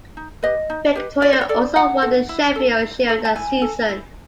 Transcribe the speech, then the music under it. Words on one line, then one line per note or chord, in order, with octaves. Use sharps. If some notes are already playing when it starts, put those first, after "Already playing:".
Victoria also won the Sheffield Shield that season.
D#4
G4 B4 D#5
D#4
G4 B4
F4 D5
C5
C#5
A4 D5
F4 F#5
A4
E4
A4
E4
A4
A5
E4 G#5
A4
E4